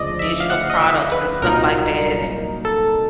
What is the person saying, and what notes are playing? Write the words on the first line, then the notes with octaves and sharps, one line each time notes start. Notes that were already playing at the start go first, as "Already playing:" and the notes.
digital products and stuff like that, and
Already playing: D2 C#3 F3 G#3 D5 D#5
E5
F5
F#5
D#5
E5
B4
C2 A#2 F#3 A#3 D#4 A#4
A4